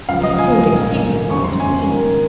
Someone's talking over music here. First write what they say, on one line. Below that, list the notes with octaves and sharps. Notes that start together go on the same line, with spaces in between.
'It seemed exceedingly long to me.
C#2 C#3 F3 F5
D#5
C#2 C#3 F3 G#5
A#1 G#2 D#3
A#1 G#2 D#3
G1 F2 C#3 G#3 C#4 C#6
C6
G1 F2 C#3 G#3 C#4 G#5
G#2 D#3 A#3